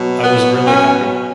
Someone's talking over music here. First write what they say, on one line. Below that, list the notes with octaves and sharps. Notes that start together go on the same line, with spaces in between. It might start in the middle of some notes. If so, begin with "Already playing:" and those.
I was really happy.
Already playing: B2 F#3
B3
C#4